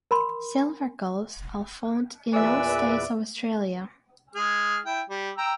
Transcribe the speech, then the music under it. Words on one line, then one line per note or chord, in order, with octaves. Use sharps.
Silver gulls are found in all states of Australia.
A#4 B5 C6
E2 A#2 B4 D5 E5 G#5
G#3 G#4 F6
E4 G5
G3
G5 A#5 E6